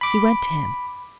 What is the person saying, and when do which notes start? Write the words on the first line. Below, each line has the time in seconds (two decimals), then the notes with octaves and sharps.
He went to him.
0.01 B5 D6